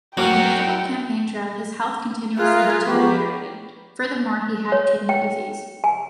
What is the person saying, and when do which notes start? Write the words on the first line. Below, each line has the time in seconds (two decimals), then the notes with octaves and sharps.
On the difficult campaign trail, his health continuously deteriorated; furthermore he had kidney disease.
0.17 F#3 F#4 A#4 G5
2.38 F4 G#4 A#4 E5 F#6
2.87 F2 B3 G4 A#5 B5 C#6 D6
4.72 C#5
5.09 G5
5.84 G#5